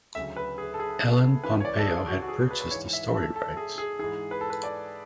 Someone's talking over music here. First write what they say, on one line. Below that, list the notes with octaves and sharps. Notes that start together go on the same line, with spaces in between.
Ellen Pompeo had purchased the story rights.
D2 C#3 F#3 E5
B4
G#4
A4
G#4
A4
C#2 C#3 E3 B4
C#5
D5
A4
G#4
F#4
F#4
G#4
B4
B4
G#2 E3 C#5
E5
A4
A4
G#4
G#4
G#2 E3 G#4
B4
A4
B4
D5